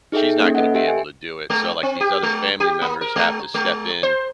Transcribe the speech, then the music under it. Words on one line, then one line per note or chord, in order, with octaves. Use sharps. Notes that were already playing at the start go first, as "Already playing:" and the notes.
she's not gonna be able to do it, so, like, these other family members have to step in
D#4 G#4 A4 E5 G5
A#3 C#4
A4 B4 D#5 E5 F#5
G4 E5 G5 D7
G#5
G#3
C4
G4
G#3
G4
A#3
A#4
G#3
G#3
C5